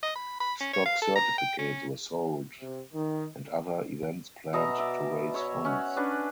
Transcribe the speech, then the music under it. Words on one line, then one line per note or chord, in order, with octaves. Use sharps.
Stock certificates were sold and other events planned to raise funds.
D#5
B5
B5
C#4
C#5
F5
A4
A#5
G5
C#4
C3
D#3
B2 D#5 E5 A#5
D5 E5
C#5 E5
C#4 F#5
C#4 D4 B4